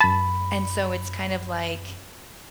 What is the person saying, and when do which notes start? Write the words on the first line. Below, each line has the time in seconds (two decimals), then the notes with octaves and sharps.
and so it's kind of like,
0.01 F#2 A5 B5